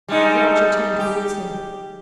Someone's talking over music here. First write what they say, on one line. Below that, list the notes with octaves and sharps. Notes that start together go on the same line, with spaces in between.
The archer turned towards him.
G3 G#3 D#4
G4